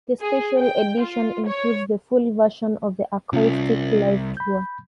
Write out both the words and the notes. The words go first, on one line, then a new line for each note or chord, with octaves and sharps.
The Special Edition includes the full version of the acoustic live tour.
G#4
G5
F4
C#5
C2 C#4 F4
B5 G6